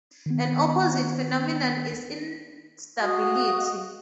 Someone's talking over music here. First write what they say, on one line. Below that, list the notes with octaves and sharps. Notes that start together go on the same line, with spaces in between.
An opposite phenomenon is instability.
D#3 B3
F#4 D#5 F5 D#6